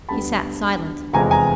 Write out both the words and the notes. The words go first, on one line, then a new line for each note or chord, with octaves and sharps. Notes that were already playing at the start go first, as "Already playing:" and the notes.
He sat silent.
D2 D3 G3 B3 A5 B5
F1 E2 C3 F3 G#3 G#5 A#5
G#5 A#5